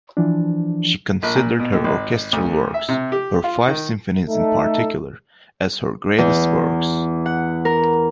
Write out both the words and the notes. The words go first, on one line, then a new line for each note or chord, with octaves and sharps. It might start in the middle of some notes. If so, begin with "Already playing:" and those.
She considered her orchestral works, her five symphonies in particular, as her greatest works.
E3 F3 D4
A#1
A#2
B2
D#2
G#1
D2
E5
C3
G4
F4
D#3
A3 D#4 A4
E2
F#5
A#4